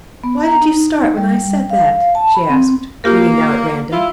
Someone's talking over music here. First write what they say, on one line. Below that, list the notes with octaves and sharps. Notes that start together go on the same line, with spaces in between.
'Why did you start when I said that?' she asked, reading now at random.
B3
A#5
D#4
G3
F5
A5
B5
C4
A#3 F4 G4 A#4
E4 F4